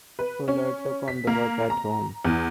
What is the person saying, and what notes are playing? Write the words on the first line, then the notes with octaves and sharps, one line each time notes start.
Fuller took on the work at home.
B4
C#4
B6
A#3
A#5
E2